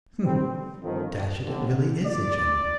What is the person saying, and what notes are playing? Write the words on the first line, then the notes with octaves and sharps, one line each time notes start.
Hm, dash it, it really is a general!
G1 F2 D#3 G3 C4
G1 F2 D#3
G1 G2 D3
G2 F3 A#3 F4 D5